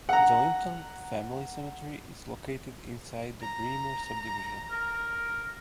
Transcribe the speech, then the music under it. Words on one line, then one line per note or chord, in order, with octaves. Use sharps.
The Linton family cemetery is located inside the Braemar subdivision.
F#5 A#5
A#5
A#4